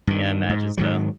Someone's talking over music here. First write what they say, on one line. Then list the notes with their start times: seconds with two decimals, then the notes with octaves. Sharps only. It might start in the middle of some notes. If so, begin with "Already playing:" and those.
Yeah, I imagine so.
0.07 G2 D#3
0.49 G#2
0.77 G#2 D#3 F#3